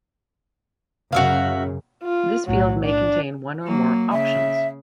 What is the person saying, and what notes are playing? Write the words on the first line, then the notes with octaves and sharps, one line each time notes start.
This field may contain one or more "Options".
F#2 C#3 F#4 E5 F5
F4
B1 A2 F#3
D4
F#3 A#3
C#3 E5